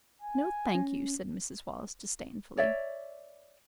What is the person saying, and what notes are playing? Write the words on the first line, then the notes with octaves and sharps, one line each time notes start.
"No, thank you," said Mrs. Wallace disdainfully.
G#5
C#4
C#5 D5 E5